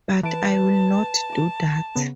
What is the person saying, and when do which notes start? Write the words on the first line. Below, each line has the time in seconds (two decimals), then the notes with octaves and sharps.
But I will not do that.
0.23 E3 B4 A5 D7
1.30 A#5 D6
1.96 C#3 B3